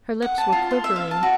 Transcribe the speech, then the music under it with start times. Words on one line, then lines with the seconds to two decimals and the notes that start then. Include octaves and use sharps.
Her lips were quivering.
0.22 F#5
0.38 A5
0.52 F4
0.71 C6
0.84 E5
0.96 F5
1.11 A5
1.23 F#4